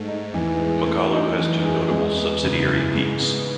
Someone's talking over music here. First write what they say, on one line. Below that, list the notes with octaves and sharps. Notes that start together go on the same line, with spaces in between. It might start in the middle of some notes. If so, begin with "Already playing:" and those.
Makalu has two notable subsidiary peaks.
Already playing: G#2 A3
D#4
E2 E3
G#4
E2 A3
D#4
F#2 E3
G#4
E2 G#3
B3
F#2 C#3
E4
G#2 G#3
B3